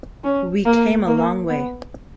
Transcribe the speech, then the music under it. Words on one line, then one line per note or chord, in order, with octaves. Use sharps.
We came a long way.
C#4
A#3
A#3
B3